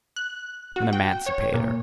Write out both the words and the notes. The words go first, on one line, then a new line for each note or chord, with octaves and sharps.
An emancipator?
F#6
F#4
G5
C#5
A#2